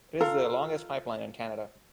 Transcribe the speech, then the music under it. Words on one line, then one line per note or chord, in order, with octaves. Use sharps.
It is the longest pipeline in Canada.
F4 A4 F5 A#5